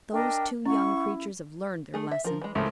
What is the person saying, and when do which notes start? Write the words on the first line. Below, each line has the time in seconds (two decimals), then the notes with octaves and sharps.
Those two young creatures have learned their lesson.
0.13 D4 A#4 D#5 G5
0.65 C#4 E4 F#5 C#6
1.94 A3 G#4
2.11 E5
2.25 F3 A#4
2.42 E3 G#3
2.55 C#2 A2 E4 A#4 C5